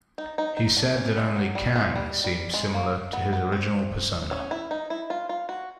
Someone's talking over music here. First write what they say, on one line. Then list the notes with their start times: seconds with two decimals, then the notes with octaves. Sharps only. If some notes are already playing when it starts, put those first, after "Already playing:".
He said that only Kang seemed similar to his original persona.
0.18 D#4
0.38 D#4
0.57 D#4
0.77 D4
0.97 C#4
1.17 G#3
1.36 F#3
1.55 G3
1.76 G#3
1.96 G3
2.24 G3
2.54 G#3
2.74 A#3
3.13 B3
3.33 B3
3.52 C4
4.31 C#4
4.51 E4
4.71 D#4
4.90 E4
5.10 F4
5.29 F4
5.49 F#4